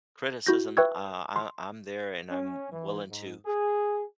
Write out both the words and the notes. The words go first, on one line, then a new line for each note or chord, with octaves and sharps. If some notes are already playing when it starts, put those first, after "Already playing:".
criticism, uh, I I'm there, and I'm willing to,
E4 F#4 G6 A#6
B4 E5 G5 C#6 E6 G#6
C6
C#4
E3
G#2
G#4